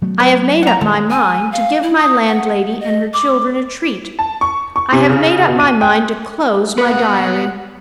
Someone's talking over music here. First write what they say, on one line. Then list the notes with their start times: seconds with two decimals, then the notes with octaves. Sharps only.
I have made up my mind to give my landlady and her children a treat; I have made up my mind to close my Diary.
0.02 F#3 A3 B3
0.20 B4
0.63 F#5 A#5
0.81 D#1 D#3 G3 A4
1.10 G#5
1.52 F5
1.82 E4
1.97 D#6
2.28 F#5
2.80 D#5
3.14 D6
4.19 A5
4.41 C#6
4.76 C#6
4.92 C3
5.09 C#3
5.48 B2
5.60 D#7
5.81 G5
6.78 B2 B3 B4 F#5